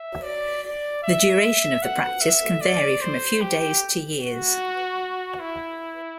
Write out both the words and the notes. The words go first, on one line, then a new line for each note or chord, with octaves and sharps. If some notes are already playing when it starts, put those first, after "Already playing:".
The duration of the practice can vary from a few days to years.
Already playing: E5
D5
D5
E5
F#5
E5
D5
C5
G4
F#4
E4